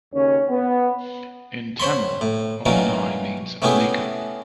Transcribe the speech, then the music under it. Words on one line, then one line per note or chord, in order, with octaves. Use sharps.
In Tamil, 'Oppanai' means make up.
D#2 C#3 C#4
B3
C5 C#5 B5 C6
A2
A#2 D#3 E3 F#3 A#3 C#4
A3 B3 C#4 E4 G4 G#4